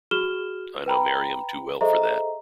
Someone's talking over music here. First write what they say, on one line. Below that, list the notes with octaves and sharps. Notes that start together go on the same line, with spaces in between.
I know Maryam too well for that.
F#4 G#4 F6 E7 G7
B4 G5 A#5 B5
G#4 A4 C5 D#5 E5 A#5